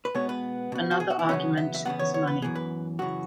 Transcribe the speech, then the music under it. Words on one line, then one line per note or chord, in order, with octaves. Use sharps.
Another argument is money.
B4
B2 G#3 B3 C#5
B4
B2 B3
F#4
G#4
F#4
E4
E2 C#3 F#3 B3 C#4
E5
E5
E2 C#3 F#3 B3 F#5
C#5
C#5
B4
F#2 E3 B3 G#4
B4
F#2 C#3 E3 F#4